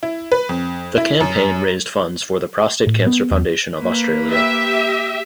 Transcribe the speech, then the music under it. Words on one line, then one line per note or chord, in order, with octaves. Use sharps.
The campaign raised funds for the Prostate Cancer Foundation of Australia.
E4
B4
F2
E4
F#2
A2
B3
E2
A#3 B4
G4 E5